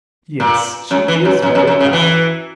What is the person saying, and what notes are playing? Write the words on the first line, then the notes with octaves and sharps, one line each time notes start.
"Yes, she is very proud."
A#2
F#2
E3
F#2
F#2
F#2
F#2
C#3
E3